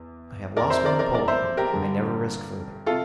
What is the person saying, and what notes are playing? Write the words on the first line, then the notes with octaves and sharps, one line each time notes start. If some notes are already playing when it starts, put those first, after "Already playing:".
I have lost my napoleon: I never risk further.
Already playing: E2
F2 C3 F3 A#4 D5
C5 E5
A#4 D5
A#4 D5
A#4 D5
C5 E5
G4 A#4
G2 D3 G3
C3 F4 A4